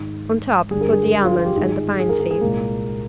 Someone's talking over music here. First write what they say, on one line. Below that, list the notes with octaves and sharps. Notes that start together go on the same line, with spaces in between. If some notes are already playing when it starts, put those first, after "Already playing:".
On top put the almonds and the pine-seeds.
Already playing: G#2 D#3 G#3
G2 D3 G3 G#4
A#4
G#4
A#4
G#4
F4
F4
G4
G#2 D#3 G#3 G#4
G#4
A#4
A#4
G#4
C2 A#2 G#3 A#3